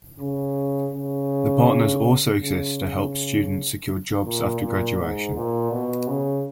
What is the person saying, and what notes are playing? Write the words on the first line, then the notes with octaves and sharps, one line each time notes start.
The partners also exist to help students secure jobs after graduation.
C#3
C#3
C#3
A#2
A#2
G#2
A#2
B2
C#3